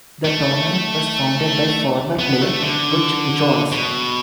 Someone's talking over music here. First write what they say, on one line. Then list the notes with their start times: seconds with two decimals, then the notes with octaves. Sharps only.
The tournament was founded by former player Butch Buchholz.
0.25 A3
2.19 B3
2.42 A3
2.62 D3
3.72 B2